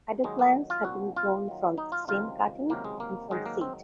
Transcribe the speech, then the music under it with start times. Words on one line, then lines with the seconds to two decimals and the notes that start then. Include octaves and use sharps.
Ideal plants have been grown from stem cuttings and from seed.
0.24 D#2 D#3 F#3 G#3
0.39 A#3
0.70 F4
0.85 C2 A#2 F3 F#4
1.16 F4
1.47 D#2 D#3 F#3
1.78 D#4
1.92 F4
2.07 C#2 C3 D#3 F#3 F4
2.69 C#2 C3 D#3 F#3 A#3
2.84 G#3
3.00 A#3
3.31 G#2 D#3 F#3 G#3
3.46 A#3
3.61 C4